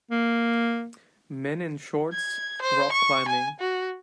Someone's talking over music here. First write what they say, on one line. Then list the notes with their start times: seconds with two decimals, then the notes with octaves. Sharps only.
Men in shorts rock climbing.
0.11 A#3
2.13 G#6
2.62 C5
2.92 C#6
3.28 G#5
3.60 F#4